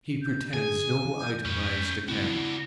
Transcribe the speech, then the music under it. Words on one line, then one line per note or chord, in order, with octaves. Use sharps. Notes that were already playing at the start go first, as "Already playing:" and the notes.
He pretends no itemised account.
G6
D3 G#4 G#5
E3
G6
F2 C#4 B4
C#3 A#3 C4 D4 E4 F#4